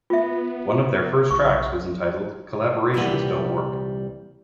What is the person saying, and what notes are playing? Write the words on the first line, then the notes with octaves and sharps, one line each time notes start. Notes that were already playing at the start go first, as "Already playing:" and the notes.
One of their first tracks was entitled "Collaborations Don't Work".
B3 F4 E5
B1 C#6
C2 A#2 E3 G3 B4 F#5